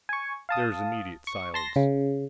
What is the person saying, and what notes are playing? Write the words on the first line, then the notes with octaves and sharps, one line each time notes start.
There was immediate silence.
G#5 C#6
F5 A5 D#6
C#6
A5 C6 A#6
C#3